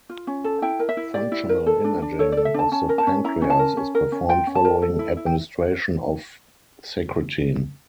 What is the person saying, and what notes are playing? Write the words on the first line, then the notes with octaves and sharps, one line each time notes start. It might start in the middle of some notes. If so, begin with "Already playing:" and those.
Functional imaging of the pancreas is performed following administration of secretin.
F4
C#4
A4
E4 G5
A#4
E5
E4
G4 D5
E4
A#4
A4
D4
D4
A4 C#5
D5
A4
E5
D4 A5
C#4 A5
A#4
A5
C#4
E4 A#5
C#4
A5
A#4
C#4
A#4
C#4
F4 G5
C#4
A5
A#4
A4
E4
E4
G5